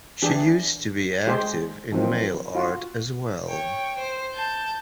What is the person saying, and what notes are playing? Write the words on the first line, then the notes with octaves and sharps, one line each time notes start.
She used to be active in mail art as well.
E3 D4 G4 G#4
G#3 G4 G#4 C5
D#3 F3 F#3 C4
F4 F#4
C#5 G5
C5
A5 G6